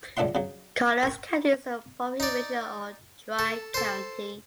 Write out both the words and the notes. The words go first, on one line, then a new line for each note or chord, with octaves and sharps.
Carlisle County is a prohibition or dry county.
C#2 F#2 D4 E5 F#5 C6
C#3 F#3
A#4 C#6
D#4 D5
A4
A4 C5